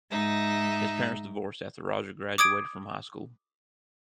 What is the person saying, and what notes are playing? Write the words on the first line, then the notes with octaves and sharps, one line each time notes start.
His parents divorced after Roger graduated from high school.
G#2 D#4 E5
D6 D#6 G#6 D7